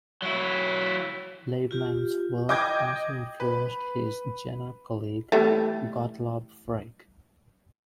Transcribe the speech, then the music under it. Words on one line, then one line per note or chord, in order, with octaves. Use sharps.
Liebmann's work also influenced his Jena colleague Gottlob Frege.
F#3 E4
F4 G4
D#5 G5 D6 G6 G#6
B4
E3 G3 A3